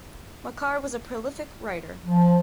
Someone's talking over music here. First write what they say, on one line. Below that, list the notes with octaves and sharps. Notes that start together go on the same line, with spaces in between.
Machar was a prolific writer.
F3